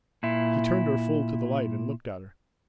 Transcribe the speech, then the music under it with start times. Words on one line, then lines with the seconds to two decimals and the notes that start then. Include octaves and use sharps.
He turned her full to the light, and looked at her.
0.23 A#2 E4